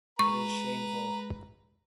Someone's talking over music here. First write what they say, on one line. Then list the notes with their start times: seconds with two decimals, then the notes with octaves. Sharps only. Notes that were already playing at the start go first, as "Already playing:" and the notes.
It is shameful.
0.19 G#3 B4 A#5 C#6